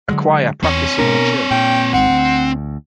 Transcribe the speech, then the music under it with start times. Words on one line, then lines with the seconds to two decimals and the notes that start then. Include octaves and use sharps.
A choir practicing in a church.
0.09 D3 F#3 G#3
0.63 E2 C4 C#5
0.98 B2 B3 D4 A#4
1.51 A#2 G5
1.94 G#1 G#2 C4 F#5
2.09 D2